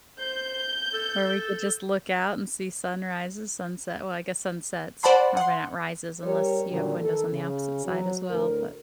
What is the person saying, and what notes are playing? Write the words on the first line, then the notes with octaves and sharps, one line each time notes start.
where we could just look out and see sunrises, sunset well, I guess sunsets. Probably not rises unless you have windows on the opposite side as well. But
C5 G6
A4
C5 D5 F#5 A5 B5 C6
F#5 C6
G3 G4 A#4 C#5
A#2 D3 D#3 F#3 G3
D#3 A4
C#3
F#3
D2 A2 A#4